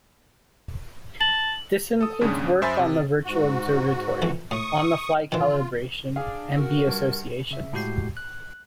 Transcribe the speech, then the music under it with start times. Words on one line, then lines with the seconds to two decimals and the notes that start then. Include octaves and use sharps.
This includes work on the Virtual Observatory, On-The-Fly Calibration, and B Associations.
1.21 A5 F#7
2.01 A4 D#6
2.21 D#2 G#2 C#3 C#4 D4
2.62 F#2 C5 E5 G#5 B5 A6
2.79 C3
3.24 G#2 F#4
4.22 F2 E3
4.51 A2 C#6 D#6
5.32 D#3 E3 F4
6.16 D4 G#4 F5
6.56 F#4 A#4
6.87 G2
7.51 C#3 E5
7.73 A2 G#3 F#4 G4 G6 C7
8.17 F#6